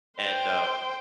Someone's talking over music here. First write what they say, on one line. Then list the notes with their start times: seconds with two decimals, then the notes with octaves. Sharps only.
and, um
0.20 C5 G5